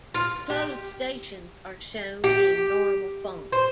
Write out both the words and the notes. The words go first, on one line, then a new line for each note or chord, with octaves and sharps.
Closed stations are shown in normal font.
F4
G4
G4
C5